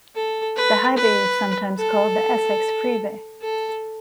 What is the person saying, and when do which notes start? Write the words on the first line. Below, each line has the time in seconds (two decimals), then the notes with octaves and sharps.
The highway is sometimes called the Essex Freeway.
0.15 A4
0.56 B4
0.96 B4
1.79 A4
3.42 A4